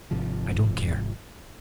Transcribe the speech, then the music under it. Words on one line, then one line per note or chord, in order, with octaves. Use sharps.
I don't care.
G#1 G#2 C3 F3